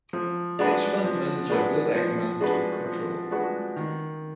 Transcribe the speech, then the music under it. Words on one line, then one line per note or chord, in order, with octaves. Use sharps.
Hedge fund manager Bill Ackman took control.
F3
G#3 D4 F#4 B4
F3
G#3 D4 F#4 B4
F3
G#3 D4 F#4 B4
F3
G#3 D4 F#4 B4
D#3